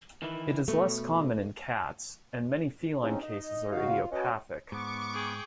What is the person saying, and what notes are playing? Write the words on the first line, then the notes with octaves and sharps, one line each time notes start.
It is less common in cats, and many feline cases are idiopathic.
D#3 E3 E4
B2 A3
G#2 C4 C#4 D#4
D#4 D#5
C#3 D#4 F#4 F5
F4
C#4 F#4 B4 D#5
G#2 B3 C#6 D6
G#4 G5